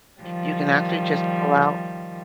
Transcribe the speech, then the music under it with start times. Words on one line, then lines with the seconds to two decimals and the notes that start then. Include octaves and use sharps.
you can actually just pull out
0.21 D#3 F3 G3